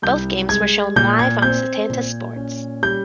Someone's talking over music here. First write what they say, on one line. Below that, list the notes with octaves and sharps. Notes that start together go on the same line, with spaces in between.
Both games were shown live on Setanta Sports.
C2 G6
G#3 G#6
A#2 G6
G#6
C4 G6
A#2
C#4
G3 G6